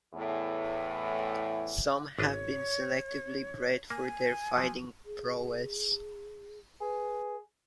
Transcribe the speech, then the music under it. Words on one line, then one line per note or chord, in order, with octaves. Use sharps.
Some have been selectively bred for their fighting prowess.
E2 A2
G#1 D4 B4 C#5
A#3 G#5
F3 F#3
G#4
G#4 B4